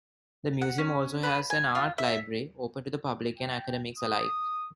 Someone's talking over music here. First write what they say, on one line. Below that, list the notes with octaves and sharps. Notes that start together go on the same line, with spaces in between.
The museum also has an art library, open to the public and academics alike.
F#5
C#4
B4
G#5
F4
E5
G5
D#6